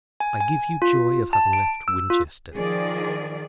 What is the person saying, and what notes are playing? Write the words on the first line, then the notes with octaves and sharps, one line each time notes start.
I give you joy of having left Winchester.
G#5
G#5
F4
A5
D7
E6
F4
D#3 F3 G#4 D5